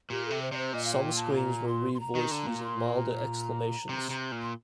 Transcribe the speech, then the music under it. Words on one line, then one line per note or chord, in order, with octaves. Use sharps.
Some screams were re-voiced using milder exclamations.
A#2 G4
A4
C3
C5
C3 D5
C5
A#2 D#5
F5
G5
A5
C6
A#5
C6
C6
A#5
D#3
D3
A#2
C6
A#5
C3
C3
A#2
C6